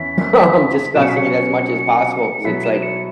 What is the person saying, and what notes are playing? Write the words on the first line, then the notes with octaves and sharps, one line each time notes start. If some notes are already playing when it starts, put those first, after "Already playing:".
um, discussing it as much as possible 'cause it's, like
Already playing: E2 E3 C#4 E4 B6
B2 F#3 C#4 E7
C#7
B6
C#7
B2 F#3 B3 E4 B6
E7
C#7